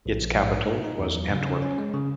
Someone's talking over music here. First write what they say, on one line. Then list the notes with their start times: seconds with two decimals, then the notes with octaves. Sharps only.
Its capital was Antwerp.
0.06 A#1
0.21 A#1
0.37 G#2
0.53 D#4
0.68 D#4
0.84 D#4
0.99 E2
1.16 F#3
1.31 C#3
1.47 C#4
1.62 C#4
1.78 G#3
1.94 C#3